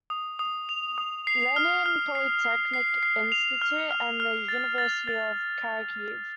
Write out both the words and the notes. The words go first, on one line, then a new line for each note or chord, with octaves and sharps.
Lenin Polytechnic Institute, and the University of Kharkiv.
D#6
D#6
F7
D#6
C7
F6
F6
C7
C7
C7
C7
F7
F6
F6
F6
A6
A6
A6